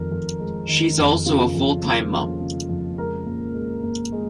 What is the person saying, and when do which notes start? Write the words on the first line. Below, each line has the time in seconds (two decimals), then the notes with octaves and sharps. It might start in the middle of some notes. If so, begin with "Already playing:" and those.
She is also a full time mum.
Already playing: F2 D#3 A#4
0.11 F2
0.39 G#3
0.68 D#3
0.98 F2
1.26 C#3 F4
1.54 F2
1.84 A#3
2.11 F3
2.40 C#3
2.69 F2
2.98 G#3 A#4
3.26 A#2
3.54 G#3
3.83 A#2
4.12 G#3